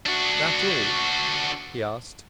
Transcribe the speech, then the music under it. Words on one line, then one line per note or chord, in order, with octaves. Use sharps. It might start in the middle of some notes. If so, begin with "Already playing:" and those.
"That all?" he asked.
D4 F#4